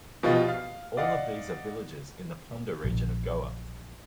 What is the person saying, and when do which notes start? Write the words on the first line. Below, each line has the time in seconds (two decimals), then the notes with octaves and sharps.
All of these are villages in the Ponda region of Goa.
0.23 B2 F3 F4 G4 D#5
0.48 F5
0.97 D5 D#5 F5 F#5
2.85 A#1